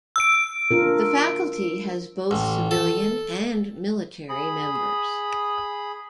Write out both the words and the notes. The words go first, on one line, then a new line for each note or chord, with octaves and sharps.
The faculty has both civilian and military members.
E6 D7
D4 F4 A#4
A1
A4
G#4 B5